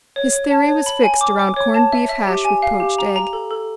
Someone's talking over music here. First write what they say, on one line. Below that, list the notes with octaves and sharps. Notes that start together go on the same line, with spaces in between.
His theory was fixed around corned-beef hash with poached egg.
C#5
C#5
A5
C#5
B5
G#5
D6
D6
C#5
A5
E5
E5
G4
G#5
F5
G4
A#5
A#5
A4
A4